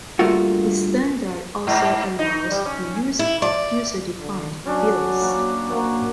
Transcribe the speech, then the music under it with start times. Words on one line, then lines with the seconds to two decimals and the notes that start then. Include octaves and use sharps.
The standard also allows the use of user-defined fields.
0.19 G2 A3 A#3 F4 F#4
1.67 G#2
2.19 D#4
2.51 G3
2.66 C#4
3.19 E4
3.42 D5
4.20 D3
4.66 F#3 C#4 D4
5.21 A#3 F#4
5.71 F#3 A#3